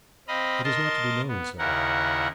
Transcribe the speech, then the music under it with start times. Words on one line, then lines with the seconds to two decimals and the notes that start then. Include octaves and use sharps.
'It is not to be known, sir.
0.28 C4 D#5 F5 B5
0.64 A#4 D#5 A5 C6 A6
1.28 B3
1.58 D#2 C#3 E4 A#4 F#5